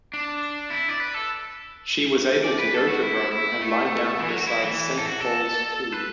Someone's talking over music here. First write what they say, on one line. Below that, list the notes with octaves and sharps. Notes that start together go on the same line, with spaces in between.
She was able to go to Rome and lie down beside Saint Paul's tomb.
D4
E4
D5
B4
A4
D5
B4
A4
F#4
E4
E4
A3
E3
F#3
F#4
E4
E3
A4
F#4
A4
B4